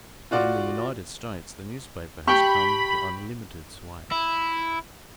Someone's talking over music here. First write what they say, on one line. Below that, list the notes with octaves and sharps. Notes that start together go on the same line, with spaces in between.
But in the United States the newspaper has come to unlimited sway.
F4 F#4 D5
G4 G5 A5 B5 C#6
E4